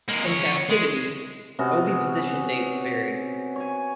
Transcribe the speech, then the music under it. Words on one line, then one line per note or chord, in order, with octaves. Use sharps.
In captivity, oviposition dates vary.
G#3 A#3
C#2 C#5
G#3
C3 B3 C#4 F#4
C#5 G#5